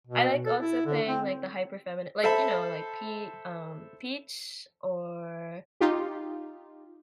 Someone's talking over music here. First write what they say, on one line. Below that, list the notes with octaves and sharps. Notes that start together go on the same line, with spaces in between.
I like also playing, like, the hyper feminine like, you know, like Pe um, Peach or
B2
A4
E4
D3
C4
A4 C5 E5 A5 B5
D#4 F4 G4